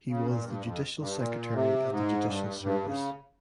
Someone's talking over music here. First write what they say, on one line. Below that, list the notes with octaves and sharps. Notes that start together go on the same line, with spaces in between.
He was the judicial secretary at the Judicial Service.
C#3
A#2
G2
F2
G2
A#2
C3
G#2
G2
G2
C#3